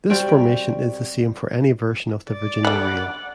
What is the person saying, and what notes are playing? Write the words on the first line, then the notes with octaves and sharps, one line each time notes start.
This formation is the same for any version of the Virginia reel.
G3 C4 F#4 G5
D5
D3 G3 F#5